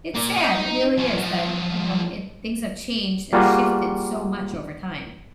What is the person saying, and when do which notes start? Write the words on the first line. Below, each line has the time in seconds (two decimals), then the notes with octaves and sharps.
it's sad, it really is that, you know, it things have changed and shifted so much over time.
0.15 A#3 D5
0.37 D#4
0.97 F3 C#4
1.17 F3 F#3
3.33 G3 A#3 F4 F#4 G#4